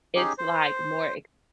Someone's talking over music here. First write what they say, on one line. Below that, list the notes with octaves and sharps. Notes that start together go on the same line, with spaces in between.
it's like more
C#4 D#4 G4 G#4
C5